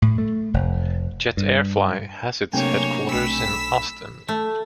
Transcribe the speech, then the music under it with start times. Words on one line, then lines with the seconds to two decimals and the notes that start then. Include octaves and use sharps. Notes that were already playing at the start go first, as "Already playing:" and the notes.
Jetairfly has its headquarters in Ostend.
0.02 A2
0.18 A3
0.54 F1
1.37 G2
2.53 C3 F#3 A3 A#3 D4 C#5 G5 G#5
3.11 B1 A3 B5 E6 B6
4.28 A3